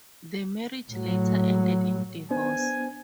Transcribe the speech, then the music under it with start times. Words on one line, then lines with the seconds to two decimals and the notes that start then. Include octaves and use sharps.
The marriage later ended in divorce.
0.92 A2 F#3
2.31 B3 D4 C5 G#5